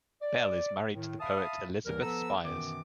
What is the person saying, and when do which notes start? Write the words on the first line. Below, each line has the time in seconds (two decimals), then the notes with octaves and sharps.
Bell is married to the poet Elizabeth Spires.
0.22 D5
0.94 A2 D#3
1.20 E5 F5 A5 B5 D#6
1.85 D#2 G#2 E3 G3 A#4
2.02 F3 B3 A4 B4 A#5 E6
2.44 F#2 B2 D#3 E3 B3 D6